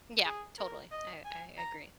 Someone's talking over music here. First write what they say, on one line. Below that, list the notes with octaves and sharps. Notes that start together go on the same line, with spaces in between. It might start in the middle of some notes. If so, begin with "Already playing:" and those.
Yeah, totally. I I agree.
G#4
A#4
D#5
G#5
A#5